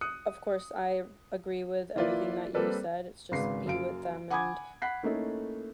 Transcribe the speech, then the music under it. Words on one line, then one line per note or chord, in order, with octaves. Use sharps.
of course I agree with everything that you said. It's just be with them and
D#6 F#6 C#7
E3 A#3 E4 F4 B4 D5
G3 A#3 C4 A4 B4 D5
G#1 G#2 C#3 B4 C7
F#1 F#2 F5 D7
F#5 G#5 B5 D6 D#6 G#6
F#5 B5 F#6 B6 C7
A3 A#3 C#4 D#4 E4 A4